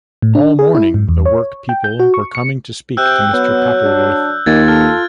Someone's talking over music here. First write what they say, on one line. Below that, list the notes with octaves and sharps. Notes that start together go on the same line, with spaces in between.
All morning the work-people were coming to speak to Mr. Pappleworth.
A2
D4
G#4
E4
G#2
E2
C#5
G5
G6
F#4
C#6
C#7
C3 G5 E6 F#6 G6
F#3 B3
D4
D#2 D#3 F4 G#6 A6
A4 F6